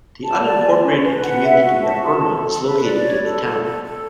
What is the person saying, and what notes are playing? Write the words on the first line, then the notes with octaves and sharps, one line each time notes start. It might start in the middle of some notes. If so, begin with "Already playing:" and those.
The unincorporated community of Irma is located in the town.
A5
D5
G#5
C#4
B4
F#5
E5
F#4
A5
A5
A4
A4
B4
D5
C#5
A4
A4
A4
A4